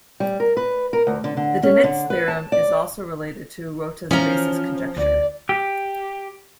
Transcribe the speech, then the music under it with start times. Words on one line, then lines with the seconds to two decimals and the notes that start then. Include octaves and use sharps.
The Dinitz theorem is also related to Rota's basis conjecture.
0.20 G3
0.40 A#4
0.57 B4
0.93 A#4
1.07 D2
1.24 D3
1.37 D3
1.63 C#4
1.84 D3
2.10 B4
2.28 A5
2.52 D5
4.11 E3 F3 C#4 A#5
4.97 D2 D5
5.49 G4